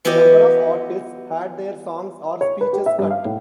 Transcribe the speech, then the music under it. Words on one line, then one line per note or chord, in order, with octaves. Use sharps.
A number of artists had their songs or speeches cut.
E3 B3 F#4 G4 D#5
C#5
B4
G4
E5
G2
F5
A2